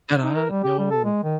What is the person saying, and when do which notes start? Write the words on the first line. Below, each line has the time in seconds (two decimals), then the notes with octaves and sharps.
And I yo
0.23 D#4
0.35 A#4
0.51 G3
0.63 G4
0.79 G3
0.91 A4
1.04 G#3
1.23 D#3